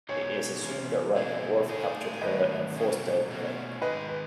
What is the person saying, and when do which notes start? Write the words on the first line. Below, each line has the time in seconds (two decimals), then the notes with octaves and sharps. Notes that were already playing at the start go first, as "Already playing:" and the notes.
It is assumed that Riker and Worf captured her and forced her to play.
0.09 B2 G#3 D#4 G#4 C#5
0.61 E2 C#3 G#3 C#4
1.15 B2 A3 E4 G#4
1.68 A2 G#3 D#4 G#4
2.22 G#2 D#3 A3 D#4 F#4 B4 D#5
2.75 B2 F#3 C#4 G#4
3.28 B2 A3 C#4 F#4
3.82 G#2 D#3 G#3 D#4 G#4 B4 D#5
4.09 B4